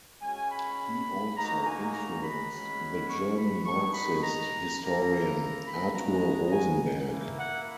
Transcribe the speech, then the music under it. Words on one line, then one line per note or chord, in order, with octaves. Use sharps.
He also influenced the German Marxist historian Arthur Rosenberg.
G#3 C#4 F#4 G#5
B5
A#3 D#4 F#4 A#5
G#5
A#5
B5
G#3 C#4 F#4
C#6
B5
G#3 B3 D#4 C#6
B5
A#5
A#3 E4 A#5
B5
G#3 B3 D#4 F#4 A#5
G#5
A#3 E4
F#5